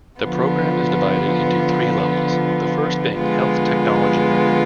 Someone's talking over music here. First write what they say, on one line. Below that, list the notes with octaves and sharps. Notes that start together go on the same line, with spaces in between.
The program is divided into three levels, the first being Health Technology One.
D3 F3 B3 F4
D3 F3 G#3 B3 F4